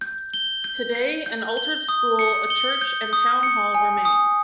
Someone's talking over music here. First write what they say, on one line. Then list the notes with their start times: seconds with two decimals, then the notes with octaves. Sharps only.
Today, an altered school, a church and town hall remain.
0.01 G6
0.34 G7
0.64 G6
0.95 C7
1.26 G6
1.57 G7
1.89 D#6
2.19 C#7
2.50 G7
2.81 G6
3.13 D#6
3.43 C#7
3.74 G#5
4.05 D#6